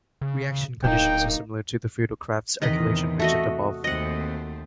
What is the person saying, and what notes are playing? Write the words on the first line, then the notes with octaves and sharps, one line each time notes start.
Reaction conditions are similar to the Friedel-Crafts alkylation mentioned above.
C#3
D1 A#3 D#4 G5
E2 C3 D#3 E3 B4 D#5
A3 F#4 D#5
D#2 A3 C4 D#5 F#5